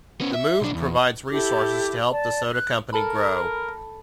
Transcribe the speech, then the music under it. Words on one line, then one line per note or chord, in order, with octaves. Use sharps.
The move provides resources to help the soda company grow.
B3 C#4
E5
B1 D4
E2
E4 G4 A4 D6
D5 A5
F#6
A4 A#4 A5 B5